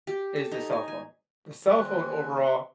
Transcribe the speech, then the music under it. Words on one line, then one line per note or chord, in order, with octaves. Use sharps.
is the cell phone. The cell phone overall
G4
A4
D#4
G#5
G#5
D#2 C4 G#5 F#6